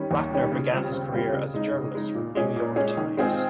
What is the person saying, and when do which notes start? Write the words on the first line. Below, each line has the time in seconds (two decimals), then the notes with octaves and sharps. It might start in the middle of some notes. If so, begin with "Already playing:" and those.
Rattner began his career as a journalist for The New York Times.
Already playing: D#3 G3 C#4
0.11 D#2
0.31 D#3 G3 C#4
0.52 C#3
0.72 G3 C4 F4
0.93 C#3
1.12 G3 C4 F4
1.33 C#3
1.54 G#3 D#4
1.74 C#3
1.95 G#3 D#4
2.15 A#2
2.35 G#3 C#4 G#4
2.56 A#2
2.76 G#3 C#4 G#4
2.97 D#3
3.17 G#3 C4 F4 G#4